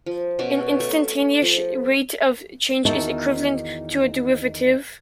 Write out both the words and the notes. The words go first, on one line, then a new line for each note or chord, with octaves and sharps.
An instantaneous rate of change is equivalent to a derivative.
F3
B2 C#4 F#4
A3 C#6
F3
E2 D#3 D#4 F#4 E5 A5